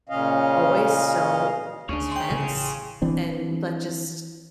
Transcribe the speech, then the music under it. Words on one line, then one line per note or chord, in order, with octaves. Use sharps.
always so tense and like, just,
A#2 C#3 C#4 D#5 F5
D2 D4 G#4 C#5
G5 C6
A1 C#3
E3 C4 D4